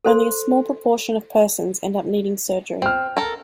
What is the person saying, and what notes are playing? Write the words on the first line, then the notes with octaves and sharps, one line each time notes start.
Only a small proportion of persons end up needing surgery.
A4 C5 C6
C4 G5 F6
A4 A#4